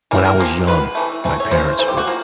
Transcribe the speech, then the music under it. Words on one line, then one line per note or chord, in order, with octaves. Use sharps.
when I was young, my parents were
E3 A3 A#4
A#4
C3 F3 A#3
D#3 G#3 B3 B4
C3 E3 A3
C3 E3 A3
C#5
C#3 E3 G3 A#3 C5
E3 A3 C5
G4
F#4
F3 A#3